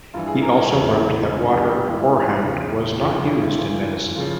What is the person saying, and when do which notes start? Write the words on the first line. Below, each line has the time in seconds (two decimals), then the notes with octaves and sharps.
He also wrote that water horehound was not used in medicine.
0.14 G2 E3 F4
0.27 G#4
0.42 A#4
0.57 A#4
0.71 E2 C#3 E3 G4
0.81 E4
0.85 F4
1.00 F4
1.29 G2 E3
1.57 G4
1.72 G4
1.86 G#2 E3 F4
2.43 E2 C#3 F3
3.01 F2 C#3 F3 F4
3.16 F4
3.30 E4
3.44 F4
3.58 G#2 E3 F4
3.73 F4
4.16 C#3 F3 F4